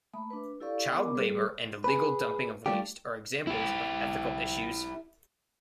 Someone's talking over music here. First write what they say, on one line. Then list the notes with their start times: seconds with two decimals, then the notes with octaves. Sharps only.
Child labour and illegal dumping of waste are examples of ethical issues.
0.14 A3 A#3 E5 B5 D#6
0.30 D4 B4
0.60 E4 G4 A4 D5 F5 C#6
0.92 B3 A#4 D6
1.15 G3 G#4 A4 B4
1.84 G#4 B4
2.66 G3 A3 A#3 D4 F4 G4
3.47 E4 G4